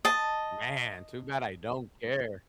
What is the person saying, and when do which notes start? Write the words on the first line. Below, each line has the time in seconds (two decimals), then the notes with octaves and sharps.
Man, too bad I don't care.
0.05 D#5 A5